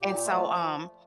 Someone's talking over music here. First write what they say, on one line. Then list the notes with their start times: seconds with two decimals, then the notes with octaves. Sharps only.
and so, um
0.01 A#2 G4
0.25 F3 A3 F4
0.49 F3